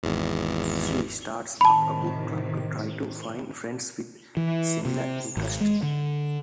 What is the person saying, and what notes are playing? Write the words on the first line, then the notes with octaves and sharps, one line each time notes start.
She starts up a book club to try to find friends with similar interests.
G#1 E2
A2 C3 D#3 A5 B5
E3
C3
G#1
G#3
D3